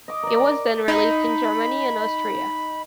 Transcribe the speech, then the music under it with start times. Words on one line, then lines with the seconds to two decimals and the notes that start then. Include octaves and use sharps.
It was then released in Germany and Austria.
0.08 D#5 D6
0.23 A#4 D5
0.39 D5 D6
0.88 D#4 B5